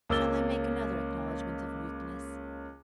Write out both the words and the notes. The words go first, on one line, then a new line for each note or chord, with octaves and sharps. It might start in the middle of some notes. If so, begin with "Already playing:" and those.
Shall I make another acknowledgment of weakness?
C#2 A#3 C#4 E6 A6 G7